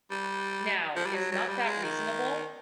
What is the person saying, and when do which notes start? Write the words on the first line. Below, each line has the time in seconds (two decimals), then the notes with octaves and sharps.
Now, is not that reasonable?
0.11 G3
0.96 F3
1.06 G3
1.15 F#3
1.32 F#3
1.49 G3
1.66 G#3
1.84 D#3